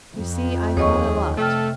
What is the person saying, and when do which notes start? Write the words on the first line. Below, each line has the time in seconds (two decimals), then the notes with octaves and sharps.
You see, I thought a lot.
0.12 F2
0.77 D#2 G#4 C#5 D#5 C#6
1.37 C3 A3 A4 G5 F6